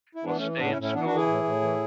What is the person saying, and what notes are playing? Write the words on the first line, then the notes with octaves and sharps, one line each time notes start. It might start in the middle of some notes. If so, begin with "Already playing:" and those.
Well, stay in school.
E4
E3 B3 D4
A3 C#4
E3
A2 B3 D4
C#4 E4
A2
C#4 E4
E3 B3 D4
D4 F#4
E3
E4 G#4
A2
A2
E3